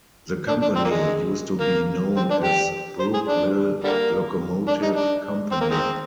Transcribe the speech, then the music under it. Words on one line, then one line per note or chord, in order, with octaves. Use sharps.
The company used to be known as Brookville Locomotive Company.
D4
D4
C4
A#3
G#3
A#3
C4
D4
G4
C5
G#4
D4
D3 G3 A#3
D4
D#4
D4
C4
A#3
D#3 G#3 C4